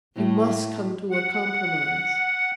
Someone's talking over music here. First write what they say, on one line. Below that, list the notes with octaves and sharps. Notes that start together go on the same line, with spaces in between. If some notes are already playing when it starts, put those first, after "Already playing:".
You must come to a compromise.
A2 A3
F#5